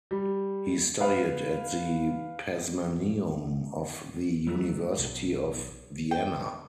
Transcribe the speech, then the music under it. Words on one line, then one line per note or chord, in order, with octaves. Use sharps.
He studied at the Pazmaneum of the University of Vienna.
G3
B4 F5
F#3 A3
B1
G5